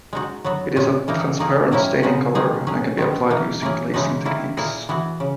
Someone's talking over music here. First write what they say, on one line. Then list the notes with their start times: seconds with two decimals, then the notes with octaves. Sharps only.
It is a transparent staining color and can be applied using glazing techniques.
0.13 G#3 D#4 F#4
0.45 F#3 B3 F#4
0.76 A#2 G#3 C#4
1.08 E3 A#3 D#4
1.39 D#3 A#3 D#4 G#4
1.72 D#3 F#3 A#3 C#4 E4
2.03 C#3 G#3 D#4 F#4
2.35 D#3 G#3 D#4 G#4
2.67 F#3 C#4 G#4
2.98 D#3 G#3 B3
3.30 E3 A#3 D#4
3.62 E3 A#3 C#4 G#4
3.94 C#3 E3 G#3 D#4 F#4
4.25 D#3 A#3 E4
4.57 A#2 A#3 E4 G#4
4.89 E3 B3 F#4
5.20 C#3